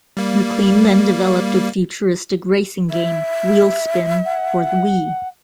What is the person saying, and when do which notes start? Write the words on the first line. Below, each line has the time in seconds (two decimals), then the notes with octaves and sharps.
MacLean then developed a futuristic racing game, "WheelSpin", for the Wii.
0.17 G3 A#3
2.91 E5
4.25 F#5